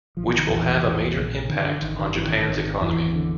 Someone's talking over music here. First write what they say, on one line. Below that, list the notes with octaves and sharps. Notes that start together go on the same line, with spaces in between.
Which will have a major impact on Japans' economy.
A#1 F3
E3
D#3
A#1 E2 E3
A#1
A#1
D3 D#3
D3
G#1 D#3
D#3
G#1 E3
D#3
D3
D#3
G#1
G#1 E2 E3
D3